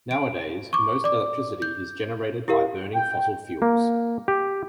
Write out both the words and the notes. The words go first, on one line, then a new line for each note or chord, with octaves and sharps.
Nowadays, most electricity is generated by burning fossil fuels.
D7
C#6 D6
D5 D6
G6
E4 G4 A#4 F5
G5
A#3
G4